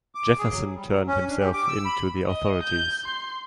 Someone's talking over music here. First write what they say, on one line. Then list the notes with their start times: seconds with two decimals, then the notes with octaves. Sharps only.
Jefferson turned himself in to the authorities.
0.15 D6
0.38 G#4
0.51 F#3
0.75 G3
0.87 F#3
1.07 C#4
1.28 D4
1.40 G4
1.53 D6
1.68 E6
1.85 B5
2.26 D#5
2.63 G6
3.06 C6